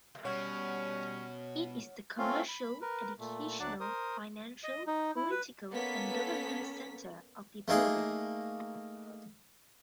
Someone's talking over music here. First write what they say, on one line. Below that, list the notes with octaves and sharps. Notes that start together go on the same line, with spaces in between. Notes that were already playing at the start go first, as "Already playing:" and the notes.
It is the commercial, educational, financial, political and government center of the province.
B2 G3 C#4 C#5 F#5 F6
A3 C4 C#4 F4 F5
B5
A#4 B4
A#2 A3
D2 F#3 D4 D5 F#5 A5
A#4 C5 D#6
D#5
D#4
E4
B4
A#3 B3 C#4 A4 B6
A3 A#3 D#4 G#4